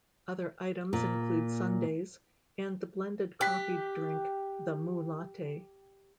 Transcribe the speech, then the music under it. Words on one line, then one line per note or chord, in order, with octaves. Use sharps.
Other items include sundaes and the blended coffee drink, the MooLatte.
A#2
G4 G5 F#6 B6